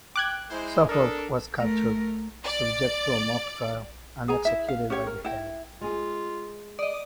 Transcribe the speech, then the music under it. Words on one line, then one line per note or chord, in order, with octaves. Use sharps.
Suffolk was captured, subjected to a mock trial, and executed by beheading.
G5 D6 F#6 G#6
G#3 E4 C5
D4 A4 A#4 D#6
A3 A#4
D5 D7
G#4 G#5 A#5
E4 E5
F5
C#4 G4 C#5 G5
A#4
E4 G5
G#3 F4 G#4
D5 D#5 D#6